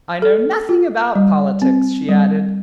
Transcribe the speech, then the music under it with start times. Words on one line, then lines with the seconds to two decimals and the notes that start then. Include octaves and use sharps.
"I know nothing about politics," she added.
0.22 A4
0.69 F4
1.15 G3
1.62 C4
2.09 G3